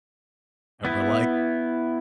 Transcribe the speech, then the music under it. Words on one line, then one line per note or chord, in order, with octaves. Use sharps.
And we're like,
B3 E4